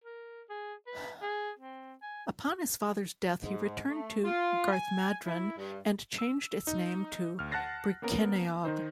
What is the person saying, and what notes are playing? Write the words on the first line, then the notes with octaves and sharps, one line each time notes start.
Upon his father's death, he returned to Garthmadrun and changed its name to Brycheiniog.
A#4
G#4
B4
G#4
C4
G#5
G#2
A3
F4
G#5
E4
G2
E6
D#4
D2 F6
F#5 A5 F#6 A6 A#6 C7
A#3 B3 C#4 A#4
D#3 D#4 C5